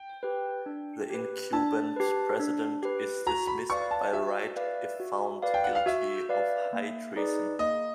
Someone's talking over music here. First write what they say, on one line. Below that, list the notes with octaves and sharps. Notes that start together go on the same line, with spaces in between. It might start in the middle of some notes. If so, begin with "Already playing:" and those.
The incumbent President is dismissed by right if found guilty of high treason.
Already playing: G5
G4 B4
D4
G4 B4
D4 A5
G4 B4
D4
G4 B4
F#4 A#5
B5
B4 D5 F5 C#6
A5
F#4 E5
B4 D5 F5
F#4
B4 D5 F5
G5
F#5
F5
F#4 E5
B4 D5 F5
A#3
D#4 G#4 B4 D5
A#3 D#5